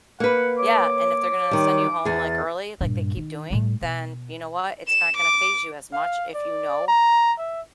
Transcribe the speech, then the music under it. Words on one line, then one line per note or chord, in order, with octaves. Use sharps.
Yeah, and if they're gonna send you home, like, early, like they keep doing, then, you know what? It's not gonna phase you as much if you know,
A#3 B4 F#5
C#5 D6
D#3 G3
E2 G#4 A6
G2 A#2
D#3
A2 G3
B2
E7
D6
F5
D5
A#5
E5